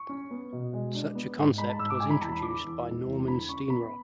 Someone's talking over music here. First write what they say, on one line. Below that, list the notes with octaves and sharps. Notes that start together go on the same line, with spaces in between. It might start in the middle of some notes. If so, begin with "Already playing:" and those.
Such a concept was introduced by Norman Steenrod.
Already playing: C#6
C#4
B3
B2
G#3
D4
B3
G#2
G#3 B5
A5
G#2 E6
D6
G#3 G#5
B5
E2 A5
B5
D3 D6
E2
G#3
E2
D3 B5
C#4 C#6
B3 B5